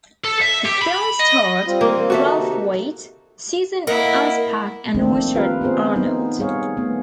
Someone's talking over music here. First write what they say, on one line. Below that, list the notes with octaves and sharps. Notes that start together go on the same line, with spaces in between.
The film starred Ralph Waite, Susan Anspach and Richard Arnold.
A4
E5
G4
B5
D#5
G3 C4 F4
A#3
F#4 A4 E5
C3 D#4
A#3 E4 A#4 D#5 F#5
D#3 F3 A3 A#3 C4 D4
F4 G4 A#4 B4 F5
B3 C4 F4 G#4 C5
B3 D#4
G3 G#4 C#5 F5
A3 B3